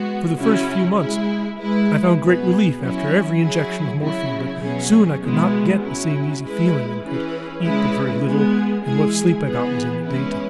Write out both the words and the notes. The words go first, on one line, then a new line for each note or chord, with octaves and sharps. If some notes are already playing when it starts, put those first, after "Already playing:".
For the first few months, I found great relief after every injection of morphine, but soon I could not get the same easy feeling and could eat but very little and what sleep I got was in the daytime.
Already playing: G#3 B3 F#4
C#3 F#3 C#4 E4
G#3 E4 G#4
G#3 E4 B4
B2 B3 G#4 B4
F#3 C#4 E4
F#3 E4 G#4
C#3 F#3 E4
B2 F#3 C#4 G#4
B2 G#3 B3 E4 G#4
F#3 C#4 E4
G#3 E4 B4
E3 C#4 G#4 B4
C#3 E3 G#3 E4 B4
G#3 B3 G#4
E3 G#3 E4 G#4
E3 B3 G#4 B4
G#3 C#4 E4 B4